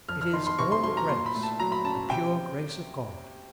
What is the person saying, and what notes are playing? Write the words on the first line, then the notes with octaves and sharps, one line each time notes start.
It is all grace,--the pure grace of God.
F2 F6
F6
D#3 C6
C6
C3 C#6
C6
F#3 C6
A#5
A#2 C6
B5
A3
A5
F#3 A#5
B5
C#4 A5
C3 G5